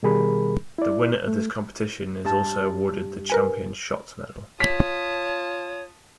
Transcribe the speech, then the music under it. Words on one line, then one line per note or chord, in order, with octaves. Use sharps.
The winner of this competition is also awarded the Champion Shots Medal.
B2 D#3 G3 G#4 A#4 B5
E4 D5
A3
G2 A5
A#4 B4 G#5
F4 C#5 A5 D#6 B6